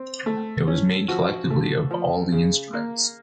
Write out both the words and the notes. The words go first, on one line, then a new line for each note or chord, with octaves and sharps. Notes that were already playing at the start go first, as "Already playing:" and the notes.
It was made collectively of all the instruments.
Already playing: C4
A3
C#4
F3 F#4
A3
F3
C#3
A#3